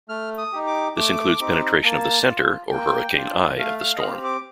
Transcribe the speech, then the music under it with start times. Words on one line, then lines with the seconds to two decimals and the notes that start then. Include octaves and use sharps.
This includes penetration of the center or hurricane eye of the storm.
0.09 A3 F6
0.38 D#6
0.53 D#4 G4
0.67 D6
0.97 A3 D6
1.40 C4 D#4 G4
1.83 A#3 A5
2.28 F4
2.71 A#3 G5
3.14 D4 F4
3.58 A3 F5
3.80 F5
3.96 D#5
4.02 C4 G4 F5
4.24 D6